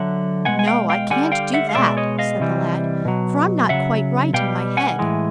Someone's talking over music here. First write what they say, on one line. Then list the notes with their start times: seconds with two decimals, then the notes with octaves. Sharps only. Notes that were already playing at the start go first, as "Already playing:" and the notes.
"No, I can't do that," said the lad; "for I'm not quite right in my head."
Already playing: D3 F#3 E5 F#5
0.45 B2 G#3 F#5 G#5
0.59 G#5
0.67 F5 G5
0.90 F5 G5
1.10 D3 G3 F#5 G#5
1.32 F5 G5
1.54 E5 F#5
1.69 F5
1.75 B2 G#3 D5 E5
1.97 C#5 D#5
2.19 D#5 F5
2.40 C3 E3 G3
3.05 B2 F#3
3.69 C#3 F#3 E5 F#5
4.33 B2 G3 F5 G5
4.77 F#5 G#5
4.99 A2 E3 G#3